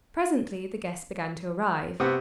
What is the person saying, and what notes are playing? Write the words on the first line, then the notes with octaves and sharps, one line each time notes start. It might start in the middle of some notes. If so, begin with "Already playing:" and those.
Presently the guests began to arrive.
C3 B3 G4 F#5